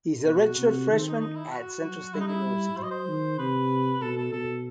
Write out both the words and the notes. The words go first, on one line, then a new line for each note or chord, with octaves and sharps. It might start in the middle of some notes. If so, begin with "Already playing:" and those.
He is a redshirt freshman at Central State University.
B2 F#4
C3
D#3 A4
C4
D#4
D#4
E4
F#4
F#3
G3 E4
D#4
E4
F#3 C5
D#5
C5
D#3
C3 B4
B2 A4
A4
B2 A4